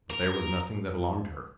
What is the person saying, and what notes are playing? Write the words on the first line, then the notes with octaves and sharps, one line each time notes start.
But there was nothing that alarmed her.
A#4